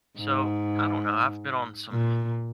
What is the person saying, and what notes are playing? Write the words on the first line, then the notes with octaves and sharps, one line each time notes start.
so, I don't know, I've been on some
G#2
A#2